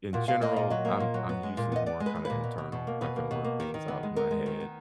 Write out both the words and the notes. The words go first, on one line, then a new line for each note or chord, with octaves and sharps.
in general, I'm I'm usually more kinda internal. I can work things out in my head,
A#2 F#4
A#2 F5
A#3 D#5
A#2 D#5
F#3 D#5
A#3
A#2
F#3
B3
G#3
A#2
B3 D#5
B3 D5
G#3
B4
G#3
A#2 B4
B2
B2
B2
A#3
B2 B4
A#3
B2
A#3
D#3
D#3
B3
G#3
B3 A#4
G#3
D#3
B3